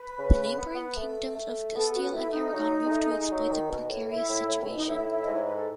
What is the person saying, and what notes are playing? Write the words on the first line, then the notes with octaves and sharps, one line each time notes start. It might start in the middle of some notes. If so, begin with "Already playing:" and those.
The neighbouring kingdoms of Castile and Aragon moved to exploit the precarious situation.
Already playing: B4
C#3
B3
B3
A3
A3
B3 A4
F#4
A3 E4
D#4
F#3
G#3
A3
G#3
F#3
D#3
B2
A2
E4
A2
A2
C#3
B2
D#4
A2 E4
G#2 D#5
C#5
B4
A4